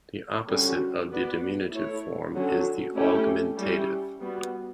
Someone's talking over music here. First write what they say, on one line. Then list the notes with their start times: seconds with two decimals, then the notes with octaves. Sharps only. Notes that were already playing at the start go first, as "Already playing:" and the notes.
The opposite of the diminutive form is the augmentative.
0.48 D3 G3 C#4 F#4
1.10 B3 F#4 B4 D5
1.72 A3 E4 A4 C#5
2.34 D3 F#3 C#4 F#4
2.96 A3 C#4 E4 G4
3.58 G3 C#4 E4 G4
4.20 G3 B3 F#4